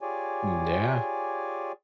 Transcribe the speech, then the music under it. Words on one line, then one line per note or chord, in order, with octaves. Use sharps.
Mm, yeah,
F4 G4 G#4 C#5 D5 G#5